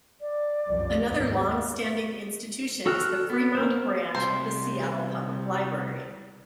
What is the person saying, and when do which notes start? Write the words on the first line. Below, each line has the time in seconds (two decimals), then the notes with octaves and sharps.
Another longstanding institution is the Fremont branch of the Seattle Public Library.
0.21 D5
0.67 C2 F#2 F3
1.08 D#2 G#2
2.86 F#4 A4 G5 F6 F#6
3.30 B3
3.55 A#3 A#4 C5
4.15 C2 C5